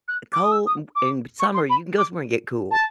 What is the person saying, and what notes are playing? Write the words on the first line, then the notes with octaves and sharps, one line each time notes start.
"Cold, m in summer, you can go somewhere and get cool,
F#6
D6
D#6
E6
D#6
D6
C#6
C6
B5
D6
A5